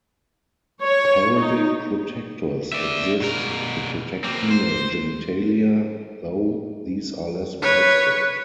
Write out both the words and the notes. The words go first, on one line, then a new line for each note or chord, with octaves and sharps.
Pelvic protectors exist to protect female genitalia, though these are less widespread.
C#5
D#4
D5 E5
B2 A#4
A#3 C4
C5
B4 C#5